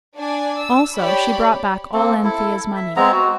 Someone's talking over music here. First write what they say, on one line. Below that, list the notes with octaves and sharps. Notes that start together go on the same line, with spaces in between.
Also she brought back all Anthea's money.
D4 D5 G#5
E6
G4 C#5 D5 B5
A#3 C4 A4
E4 A4
E5
G#3 B3 C4 A#5
F#4